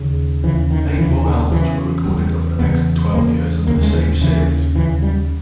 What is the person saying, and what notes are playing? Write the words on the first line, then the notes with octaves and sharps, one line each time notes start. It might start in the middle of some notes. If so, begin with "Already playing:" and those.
Eight more albums were recorded over the next twelve years under the same series.
Already playing: D#2 C#3
D#2 C#3 E3
D#3
D#2 C#3 E3
D#3
E2 C#3 E3
E2 C#3 G3
E2 C#3 B3
E2 C#3 A#3
D#2 C#3 A#3
G#3
E3
D#2 C#3 E3
C#3 E3
D#2
G3